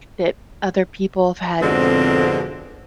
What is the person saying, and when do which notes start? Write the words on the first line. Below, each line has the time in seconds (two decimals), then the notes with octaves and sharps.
that other people have had
1.61 F2 G#2 B2 D3 G#3 C4